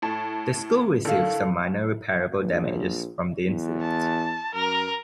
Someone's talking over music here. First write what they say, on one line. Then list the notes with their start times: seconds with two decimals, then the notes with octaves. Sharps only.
The school received some minor repairable damages from the incident.
0.02 A2 A5
1.05 A2 D3 D#3 A4 F5
2.40 A#1
3.46 E2
3.81 A5
4.54 F#2 A#4